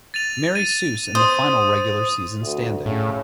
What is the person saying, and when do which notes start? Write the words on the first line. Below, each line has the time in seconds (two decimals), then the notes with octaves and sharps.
Marie Soos in the final regular season standing.
0.14 A6 D#7 F7
0.55 D#7
1.15 C5 D#6
2.41 D2
2.86 A2 C#3